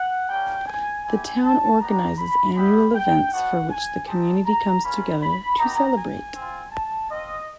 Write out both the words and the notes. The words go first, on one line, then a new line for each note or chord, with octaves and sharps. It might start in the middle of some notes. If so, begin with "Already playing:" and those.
The town organises annual events for which the community comes together to celebrate.
Already playing: F#5
G3 A#3 C#4 G5
G#5
C4 E4 G4 G#5
A5
B3 D4 G4 A#5
B5
G3 B3 E4 G4 B5
G5
B3 D4 F#4 F#5
G#5
G#3 C4 D#4 G4 A5
A#5
A#3 C#4 F4 B5
B5
B3 D#4 G4 A#5
G#5
C4 F4
A5
C4 F4 D#5